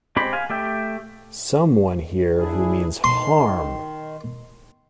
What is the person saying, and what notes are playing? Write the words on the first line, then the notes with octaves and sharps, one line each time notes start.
Some one here who means harm!
G#3 C4 G4 C5 B5
F5 G#5
A3 G4 E5 G5
D4 E4 G#4
D#3 C6